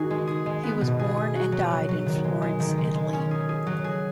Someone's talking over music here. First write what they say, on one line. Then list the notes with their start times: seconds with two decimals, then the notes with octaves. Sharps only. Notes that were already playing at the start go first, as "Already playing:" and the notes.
He was born and died in Florence, Italy.
Already playing: D#3 D#4 F#4 G#4
0.10 G#3
0.27 G#4
0.46 G#3
0.63 B3
0.81 B2
0.99 G#4
1.17 G#4
1.36 F#4
1.52 F#3
1.71 F#3
1.89 F#3
2.06 D#3
2.24 G#3
2.42 G#3
2.60 D#3
2.78 G#3
2.95 G#3
3.13 C#4
3.31 G#4
3.49 G#4
3.67 F#3
3.84 G#4